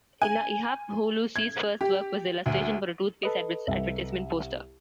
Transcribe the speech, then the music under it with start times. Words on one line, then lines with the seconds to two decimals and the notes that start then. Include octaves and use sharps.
Ihap Hulusi's first work was the illustration for a toothpaste advertisement poster.
0.22 G#5
1.36 G#6
1.81 G4
2.46 D2
3.23 A4 B4 D#5
3.67 C2 E5